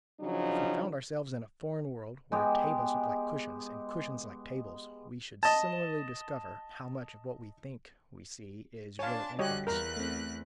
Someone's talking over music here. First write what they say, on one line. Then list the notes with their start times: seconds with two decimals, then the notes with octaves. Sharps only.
If we found ourselves in a foreign world, where tables looked like cushions and cushions like tables, we should similarly discover how much of what we think we see is really inference.
0.21 C#3 F3 F#3 D4 D#4
2.32 G#3 B3 G4 D6
5.43 D#5 A5
8.99 D4 C#5 F5 G#5 A5 C6
9.39 D3 G3 F#4 G4 C#5 D#5 F#6
9.67 E2 A#4 A#5 F#6
9.96 A3 C4